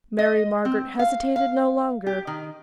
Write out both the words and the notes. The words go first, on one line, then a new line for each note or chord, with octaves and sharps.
Mary Margaret hesitated no longer.
D#5
C4
F5
F5
G4
D#3